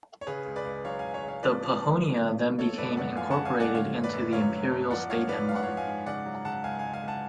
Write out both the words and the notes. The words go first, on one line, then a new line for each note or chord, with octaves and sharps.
The Pahonia then became incorporated into the imperial state emblem.
C#5
C#3 G#4 B4
C#2
B4 D5
C#2
F#3 C#5 F5
F5 G#5
C#2
C#5 F5
C#3
C#5 F5
F3 B4 D5
F3
G#2
G#2
F3
G#2
F3 A4 C#5
F#2 B4 D5
F#2 D5 F#5
F3 F5 G#5
F#5 A5
D3
F5 G#5
D3
D5 F#5
D3 C#5 F5
F#2
B4 D5
F#2
F#3 C#5 F5
F#3
F#2
F3 D5 F#5
F3 C#5 F5
G#2 B4 D5
G#2 F5
F#5
F3 C#5 F5
F5 G#5
G#2
C#3 D5 F#5
F#3
C#3 F#5 A5
C#2 F5 G#5
C#2 F5 G#5
F5 G#5
C#2 F#5 A5